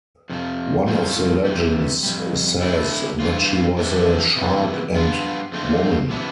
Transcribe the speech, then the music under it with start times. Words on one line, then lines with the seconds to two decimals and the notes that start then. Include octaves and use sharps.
One of the legends says that she was a shark and woman.
0.30 F2 C3 F3
0.87 A2 G3 C4 F4
1.45 C3 E3 G3
2.03 F2 C3 G3
2.61 D3 A3 E4
3.20 G2 E3 F4
3.77 F2 E3 G3 D4
4.36 C3 E3 G3 B3
4.94 G2 F3 B3 D4 F4
5.52 F2 D3 A3 C4 F4
6.09 C3 E3 B3 D4